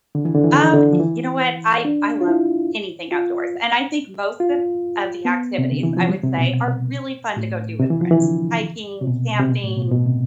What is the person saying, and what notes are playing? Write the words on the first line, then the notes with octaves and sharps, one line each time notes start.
Um, you know what? I I love anything outdoors, and I think most of of the activities, I would say, are really fun to go do with friends. Hiking, camping,
D3
E3
D3
E3
D3
E3
D3
F3
E3
D4
F4
E4
F4
F4
B3
C3
D3
E3
F3
G3
C3
B2
A2
C3
E3
F3
E3
D3
C3
B2
C3
B2
A2
B2
B2
C3